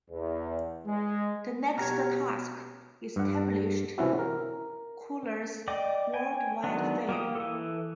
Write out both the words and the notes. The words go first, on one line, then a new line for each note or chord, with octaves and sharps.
The next task established Kuhler's worldwide fame.
E2
G#3
B2 F#4 G4 C#5 A#5 F6
G2 F#5
C3 E3 C#4 E4 F#4
A#4
D5 D#5 G5 D6
G5 G#5
D#3 F#3 G#3 B3 D4
A#3 G4 D#6
E3 A4